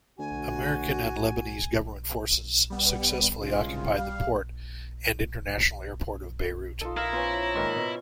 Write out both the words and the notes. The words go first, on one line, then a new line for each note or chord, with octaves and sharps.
American and Lebanese government forces successfully occupied the port and international airport of Beirut.
D2 F#4 G#5
G3 B3
C2 C#3 G#3 F4
G3 F5
D#4 F4 A4
E4 A#4 F5 A#5
B3 C#4 F4 B4 C5
G#2 D#3 A#3
B2